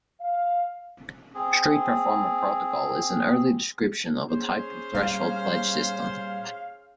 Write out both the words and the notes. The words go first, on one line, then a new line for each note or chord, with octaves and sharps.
Street Performer Protocol is an early description of a type of threshold pledge system.
F5
C4 G#4
C#4 G#4 C5
A#2 G3 F5